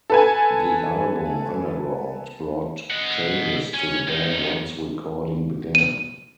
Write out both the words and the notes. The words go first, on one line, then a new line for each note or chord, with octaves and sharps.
The album, "Underground", brought changes to the band once recording began.
A4 B4 G#5
D#5 F#5
C#4
C3 D#4
D#7